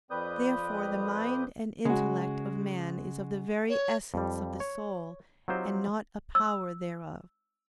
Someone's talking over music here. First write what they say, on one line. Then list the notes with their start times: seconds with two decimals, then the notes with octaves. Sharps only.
Therefore the mind and intellect of man is of the very essence of the soul and not a power thereof.
0.11 F2 C4 B4 D5 D#6 G6
1.85 C#3 G#3 F#4
3.69 C#5
4.14 F2 G3
4.60 C#5
5.48 F#3 C4 D#4 F4 G4 C5
6.35 E6